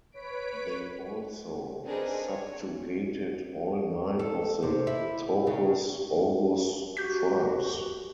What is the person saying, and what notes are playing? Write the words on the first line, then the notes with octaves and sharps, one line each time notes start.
They also subjugated all nine of the Tokuz Oguz tribes.
B4 C#5 B6 D7
C4 D4 D#4 G#4 A#4 B4
C#5
A4
C3
E4
C#3
F#4 G4 G6 B6